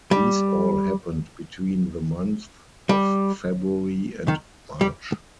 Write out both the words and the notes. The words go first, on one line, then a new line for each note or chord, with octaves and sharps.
These all happened between the months of February and March.
G3
G3
D#3
G3